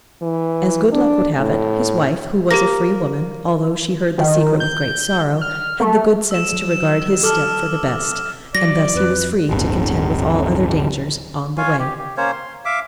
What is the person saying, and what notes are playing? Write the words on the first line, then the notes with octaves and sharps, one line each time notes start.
As good luck would have it, his wife, who was a free woman, although she heard the secret with great sorrow, had the good sense to regard his step for the best, and thus he was free to contend with all other dangers on the way.
E3
D4
A2
A#3 G4 A#6
D#3
G6
F6
A3
E6 E7
F#3
E7
A4 D6 E6 F6
F#3 D5 A#6
F2 B4
D1 G1
F4 C#5 F5 G#5
G4
G4
A#3 C#4 C5 C#5
C6
E5 F5 D6